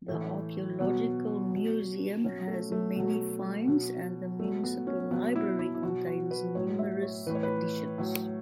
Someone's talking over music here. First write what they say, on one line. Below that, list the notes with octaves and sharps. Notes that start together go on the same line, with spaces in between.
The Archaeological Museum has many finds and the Municipal Library contains numerous editions.
A2 E3 A3
B2 F#3 B3
B2 F#3
B2 F#3 C#4
A3
A3
B2 F#3
B2 F#3
B2 F#3 A3
B3
C#4
B2 F#3 B3
E4
E4
E4
B2 F#3 F#4
F#4
B4
A2 F#3 C#5
E5
C#5
A2 E3 B4
C#5
B4
A2 F#3